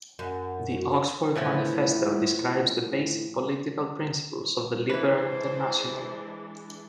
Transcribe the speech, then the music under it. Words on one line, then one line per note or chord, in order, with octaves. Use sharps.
The Oxford Manifesto describes the basic political principles of the Liberal International.
F#2
F#4
A2 E3 F3 B3
E3 G#3 D4 E4 B4 C5